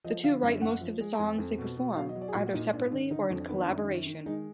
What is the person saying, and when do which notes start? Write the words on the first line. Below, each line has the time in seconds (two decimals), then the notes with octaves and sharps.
The two write most of the songs they perform, either separately or in collaboration.
0.04 F3 D#5
0.24 D3 F5
0.43 F#2 F5
0.62 F#2 F#5
0.81 F3
1.00 G#3
1.13 A#5
1.19 F2 G#5
1.38 F2
1.58 B2
1.77 B2
1.96 F#3 F5
2.09 D#5
2.16 F#3
2.21 D5
2.28 G#4
2.34 A#2 F#4
2.46 F#4
2.53 A#2 D#4
2.60 F4
2.73 G#2 D4
2.92 D#3 D4
3.11 D3 D#4
3.30 F2
3.37 D4
3.49 D#3 B3
3.61 D4
3.68 F#2
3.87 D#3
4.07 D#3
4.26 G#3 D#4